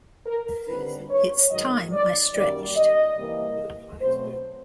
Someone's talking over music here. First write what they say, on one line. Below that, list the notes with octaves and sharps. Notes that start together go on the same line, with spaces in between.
It's time I stretched.
A#4
D#2 D3 G3 C4 B4
C#5
G#2 D#3 F#3 D#5
D5
F#2 D#3 G3 A#3 D5
D#5
C3 E3 G3 A#3
B2 F#3 A3 C4 C5